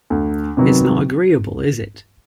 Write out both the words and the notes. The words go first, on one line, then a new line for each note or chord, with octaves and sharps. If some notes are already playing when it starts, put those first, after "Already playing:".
It's not agreeable, is it?
D2
C3 D#3 F#3 B3